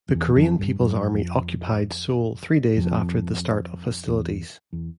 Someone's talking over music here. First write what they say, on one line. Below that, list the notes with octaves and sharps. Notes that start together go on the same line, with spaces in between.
The Korean People's Army occupied Seoul three days after the start of hostilities.
F2
E2
F2
G2
F#2
F2
F2
E2
E2